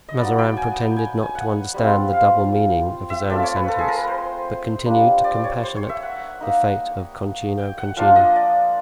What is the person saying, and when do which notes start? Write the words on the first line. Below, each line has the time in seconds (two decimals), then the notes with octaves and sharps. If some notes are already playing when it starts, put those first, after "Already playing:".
Mazarin pretended not to understand the double meaning of his own sentence, but continued to compassionate the fate of Concino Concini.
0.08 D#5
0.18 F#3 B3 D#4 D5
0.38 G5
0.57 G#5
0.77 G5
0.96 G#5
1.22 G#5
1.35 F#5
1.74 G3 C4 F4
2.13 F5
3.10 E5
3.30 A3 C4 F4 D5
3.43 C#5
3.56 B4
3.68 A4
3.78 G#4
3.88 A#4
3.98 B4
4.07 C5
4.85 G3 A#3 D4
5.24 D5
5.44 C#5
5.63 C5
5.76 C#5
5.89 E5
6.02 F#5
6.41 A#3 D#4
7.58 G5
7.78 F#5
7.97 F3 A#3 D4 F4 F5
8.16 D#5
8.36 D5